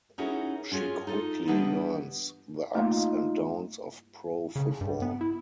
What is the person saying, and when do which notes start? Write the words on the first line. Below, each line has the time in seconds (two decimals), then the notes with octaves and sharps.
She quickly learns the ups and downs of pro football.
0.18 C#4 D#4 E4 F#4 G#4 A#4
0.72 C#4 F4 F#4 G#4
1.07 D#4 F4 A4
1.48 E3 G3 B3 D4 B4 D#5
2.75 A3 A#3 D#4 F4 F5
4.56 C#3
4.81 G2
5.02 B3
5.21 E4